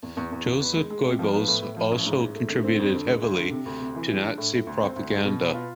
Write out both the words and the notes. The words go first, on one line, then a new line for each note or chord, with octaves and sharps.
Joseph Goebbels also contributed heavily to Nazi propaganda.
E2
E2
E2
E2
B3
G#3
G#3
C3
F3
B3
A2
A2
F3
A1
G#2
G#2
A3
D3
C4
F2
D3
G#3
D2
D3
C3
D2
C3
E3
G#3
D4
A2
A2
D2
C4
D2
G#3
B2
B3
F4